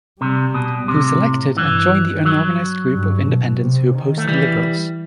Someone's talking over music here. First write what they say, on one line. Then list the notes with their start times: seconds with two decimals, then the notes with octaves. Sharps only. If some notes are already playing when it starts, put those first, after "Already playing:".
He was elected, and joined the unorganised group of independents who opposed the Liberals.
0.21 C3 G3
0.54 B2
0.88 A2 C3
1.56 G2 E3
2.25 F#3
2.91 G2
3.26 B2
3.60 C3
3.94 D#3
4.17 A3
4.28 E3 G3